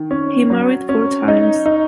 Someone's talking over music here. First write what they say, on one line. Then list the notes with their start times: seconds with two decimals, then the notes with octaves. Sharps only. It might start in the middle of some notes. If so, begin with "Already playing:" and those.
He married four times.
Already playing: D#3
0.11 C#4
0.50 F#3
0.89 C#4
1.28 D#4
1.66 D#4